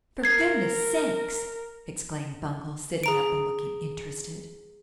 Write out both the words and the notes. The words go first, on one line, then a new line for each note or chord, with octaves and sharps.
"For goodness sake!" exclaimed Bungle, sitting up and looking interested.
A#4 G#6 C7
G#4 A#5 D7